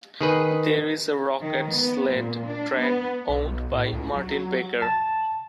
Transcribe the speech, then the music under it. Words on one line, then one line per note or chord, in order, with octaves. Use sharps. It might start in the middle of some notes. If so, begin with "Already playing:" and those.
There is a rocket sled track owned by Martin-Baker.
D#3 G#4 B4
D#3
B3
A#2
D4
B3
B1
A2
C#2
F#3
A5